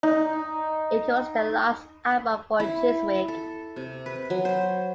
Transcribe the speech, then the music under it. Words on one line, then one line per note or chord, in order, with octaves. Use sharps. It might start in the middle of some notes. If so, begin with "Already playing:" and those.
It was their last album for Chiswick.
D#4
E4
A4
C3
B4
F#3
C5